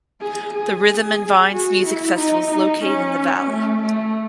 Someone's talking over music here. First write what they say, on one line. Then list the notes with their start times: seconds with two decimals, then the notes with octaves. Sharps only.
The Rhythm and Vines music festival is located in the valley.
0.21 G#4
0.54 G#4
1.53 F#4
1.86 E4
2.18 D#4
2.52 D#4
2.85 C#4
3.50 A3
3.83 A3